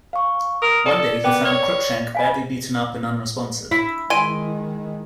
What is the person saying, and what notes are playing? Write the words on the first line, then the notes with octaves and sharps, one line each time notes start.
One day he found Crookshank badly beaten up and unresponsive.
F5 C#6
A#4 D#6
A4 D5 C#6
B3 A#4 G5 D6
C#5
F5 G#5 B5
E4
D#3 G#3 G#5 C6 D7 D#7